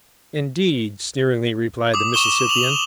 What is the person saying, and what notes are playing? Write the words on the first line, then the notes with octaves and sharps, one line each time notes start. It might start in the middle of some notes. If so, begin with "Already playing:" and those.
"Indeed!" sneeringly replied the Mississippian.
D6 D#6
C#6 E7 G7
F7 F#7